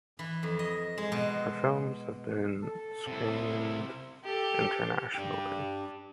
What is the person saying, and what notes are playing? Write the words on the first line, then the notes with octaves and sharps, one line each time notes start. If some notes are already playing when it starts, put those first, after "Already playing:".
Her films have been screened internationally.
E3
F2
D#5
G#3
B2
A4
C3 E4
G4 A4
D4 G4